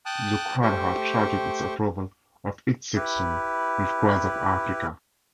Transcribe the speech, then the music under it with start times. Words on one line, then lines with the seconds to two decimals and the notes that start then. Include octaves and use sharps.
The crowd had shouted its approval of each section with cries of Afrika!
0.06 G5 A5 D#6 F#6
0.62 A3 G4 C5 G5 C#6
2.96 E4 G4 B4